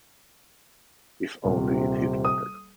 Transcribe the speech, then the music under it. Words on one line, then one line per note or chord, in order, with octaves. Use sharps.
If only it hit better.
D#1 C3
D#6